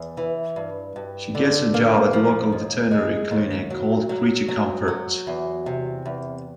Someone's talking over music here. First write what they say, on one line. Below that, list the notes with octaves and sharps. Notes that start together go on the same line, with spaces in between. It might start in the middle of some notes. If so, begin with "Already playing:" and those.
She gets a job at a local veterinary clinic called Creature Comforts.
Already playing: E2
E3
G2
G2
D3
A#3
F3
D#2
G#3
D#2
F#3
F#3
F#3
F#3
E2
C3
E2